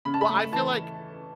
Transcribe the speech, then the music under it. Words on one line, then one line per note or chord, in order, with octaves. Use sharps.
Well, I feel like
C#3 B5
A5
B5
A3
E3 A5